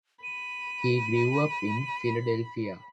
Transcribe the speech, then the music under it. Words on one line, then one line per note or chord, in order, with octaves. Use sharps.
He grew up in Philadelphia.
B5 D#7